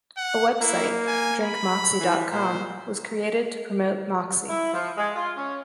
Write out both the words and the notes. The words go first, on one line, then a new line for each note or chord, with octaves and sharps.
A website, DrinkMoxie dot com, was created to promote Moxie.
F#5
A#3 E4
G#5
B5
E3
A#2 C5
E4
F3
G#3
F4
C#4